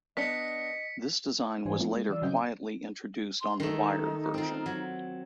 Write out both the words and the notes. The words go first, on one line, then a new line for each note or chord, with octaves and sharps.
This design was later quietly introduced on the wired version.
B3 D4 D#5 B6 C#7
G#2 E3 G3 D4 C5 G#5
F3 A3 B3 C4 E4 F4
G#3
E3 G3 D5 F5 E6
C#3 F#3 C4 C#4 D#5 G6
C6
D#3 A3 D#4
C4 F4
F#3